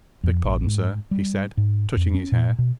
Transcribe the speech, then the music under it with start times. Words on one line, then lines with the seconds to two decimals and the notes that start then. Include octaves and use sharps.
"Beg pardon, sir," he said, touching his hair.
0.24 F2
0.45 A1
0.66 G#2
1.11 G3
1.57 G#2
1.97 F2
2.15 C#4
2.32 A#2
2.59 B2